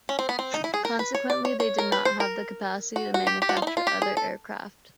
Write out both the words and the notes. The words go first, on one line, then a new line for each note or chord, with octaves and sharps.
Consequently, they did not have the capacity to manufacture other aircraft.
C#4
C4
B3
C4
D#4
E4
G#4
A#4
B4
C#5
D5
C#5
C#5
A#4
B4
C5
A#4
F#4
F#4
G4
G4
F#4
F4
D#4
E4
F4
G4
G#4
A4